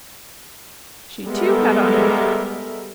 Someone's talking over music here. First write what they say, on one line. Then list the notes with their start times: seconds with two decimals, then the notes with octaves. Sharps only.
She, too, had on a new frock.
1.26 G3 G#3 B3 A4 A#4 E5